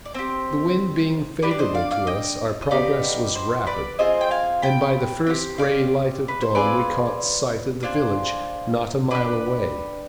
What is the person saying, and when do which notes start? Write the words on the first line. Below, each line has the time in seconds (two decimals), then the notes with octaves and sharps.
The wind being favourable to us, our progress was rapid, and by the first grey light of dawn we caught sight of the village not a mile away.
0.05 D5
0.14 C4 G4 C5
1.42 D4 G4 B4
1.51 D5
1.59 C5 D#5
1.75 D5 F5
1.91 D5 F5
2.07 D#5 G5
2.62 D#5
2.71 B3 D#4 G4 D5 F5
3.35 C5
3.67 B4 D5
3.99 C4 F4 G#4 C5 D#5
4.21 G5
4.31 F5 G#5
4.62 G5 B5
5.26 C4 D#4 G4
5.58 D5 F5
6.28 B4
6.42 C5
6.55 C4 F4 G#4 B4 D5
7.83 D4 F4 G#4 C5
9.11 D4 G4 B4